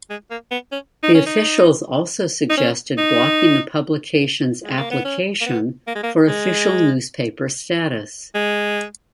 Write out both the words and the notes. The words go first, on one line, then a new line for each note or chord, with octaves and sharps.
The officials also suggested blocking the publication's application for official newspaper status.
G#3
A#3
B3
C#4
D#4
C#4
D#4
D#4
C#4
D#4
G#3
A#3
B3
C#4
A#3
B3
A#3
G#3
A#3
G#3
G#3